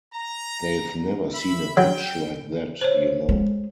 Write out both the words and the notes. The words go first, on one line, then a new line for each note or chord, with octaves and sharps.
They've never seen a pitch like that, you know?
A#5
E5 B5
F#3 G5
C5 C#5
G#3